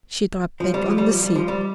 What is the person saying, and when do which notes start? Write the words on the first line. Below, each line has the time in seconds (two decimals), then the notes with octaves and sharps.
She dropped back on the seat.
0.60 F3
0.74 G3
0.86 F3
0.98 G3
1.11 F3
1.23 G3
1.35 F3
1.48 G3